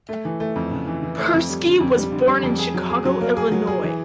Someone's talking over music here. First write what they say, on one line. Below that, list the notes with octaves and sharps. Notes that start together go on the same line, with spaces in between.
Persky was born in Chicago, Illinois.
A3
E3
A3
F2
C#3
E3
E3
A3
F2
G3
D3
F2
G3
D3
G3
F2
G#4
F#3
G#4
F#3
A#3
G#4
F#3
G#4
E3